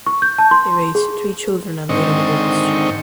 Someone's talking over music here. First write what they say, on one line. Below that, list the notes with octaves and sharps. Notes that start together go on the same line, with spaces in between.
They raised three children and later divorced.
C#6
G6
A5
C6
G#4
G#2 D3 D#3 C4 D#5 C#6